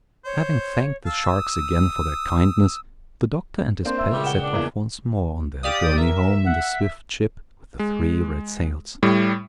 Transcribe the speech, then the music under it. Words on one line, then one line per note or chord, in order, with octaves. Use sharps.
HAVING thanked the sharks again for their kindness, the Doctor and his pets set off once more on their journey home in the swift ship with the three red sails.
C5 C#5
F5 A5 E6
D#6
A#3 C4 D4 C5
E5 C6 E6
C#2 A#2 C#3 G3
F#5 G5 E7 G7
D4
E2 E3 A#3
G4 D5 F5 D#6
A#4 E5
F#5
G#3
A2 G3